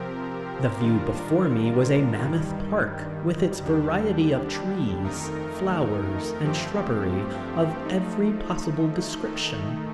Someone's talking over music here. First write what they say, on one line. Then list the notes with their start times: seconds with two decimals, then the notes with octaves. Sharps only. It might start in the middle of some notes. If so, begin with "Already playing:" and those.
The view before me was a mammoth park with its variety of trees, flowers and shrubbery of every possible description.
Already playing: C3 F3 C4 G4 A#4
0.81 D#3 G3 D4 F4 A#4
2.22 G2 D#3 G3
3.63 D#2 D3 G3 D4 G4
5.04 F2 D#3 A3 D#4 A#4
6.43 G2 F3 A3 C4 G4
7.85 F3 A3 D#4
9.24 D#3 A3 D#4